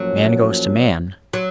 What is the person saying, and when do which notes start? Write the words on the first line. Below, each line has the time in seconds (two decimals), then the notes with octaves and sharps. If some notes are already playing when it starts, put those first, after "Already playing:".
Man goes to Man!
Already playing: A2 F3 F#3 A#3 C#4 F#4
1.33 F#3